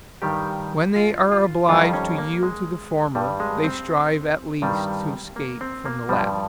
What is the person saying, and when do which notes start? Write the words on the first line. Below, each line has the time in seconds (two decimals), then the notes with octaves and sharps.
When they are obliged to yield to the former, they strive at least to escape from the latter.
0.22 G2 D#3 G3 G4
0.96 F4
1.32 F4
1.69 F2 D#3 G3 F4
1.93 C#4
2.18 A#3
2.43 G#3
3.15 G2 G3
3.40 G#3
3.64 C4
4.62 G2 D#3 G3
5.36 A#3
5.61 C4
5.85 A#3
6.09 G2 F3 G3